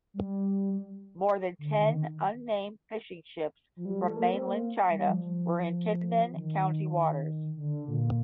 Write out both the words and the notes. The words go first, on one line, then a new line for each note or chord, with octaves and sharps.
More than ten unnamed fishing ships from mainland China were in Kinmen County waters.
G3
D3
D#3
F3
G3
A3
A#3
C4
A#3
G3
F3
D#3
D3
A#2